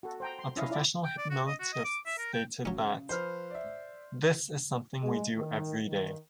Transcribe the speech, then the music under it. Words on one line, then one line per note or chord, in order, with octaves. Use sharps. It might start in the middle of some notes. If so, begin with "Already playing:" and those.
A professional hypnotist stated that "This is something we do every day".
F#4 A4
C5 G5 A#5
C6
C#4 E4 D#5 F5
E4 F4 D5
G5
D5
F#4
D#5
F#4
D#5
D6
E5
A#4
G5
C#3 F#3 C#4
F3 B4 C5 F6
D5 E5
G#3
D#3
D#3